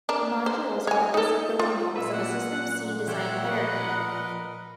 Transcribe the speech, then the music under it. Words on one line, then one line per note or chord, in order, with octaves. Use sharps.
Modules are the basic building blocks of a SystemC design hierarchy.
D4 A#4
C5
C#5 G#5
D#4 A4
F4
A#2 C#4 B4 E5
F#3 A#3 F#5
F3 A4 C#5 D5 E5 F#5 G5
A#4 B4 D#5